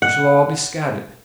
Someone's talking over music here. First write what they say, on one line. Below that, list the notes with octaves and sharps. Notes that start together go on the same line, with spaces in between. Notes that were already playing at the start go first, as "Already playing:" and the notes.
We shall all be scattered.
F#5